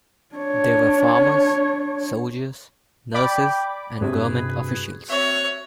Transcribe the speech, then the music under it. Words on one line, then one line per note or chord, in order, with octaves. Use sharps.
They were farmers, soldiers, nurses, and government officials.
D4 C#5
D5 G5 B5 D6
G2 C3 F#4 G#4 B4
C4 F#4 C#5 E5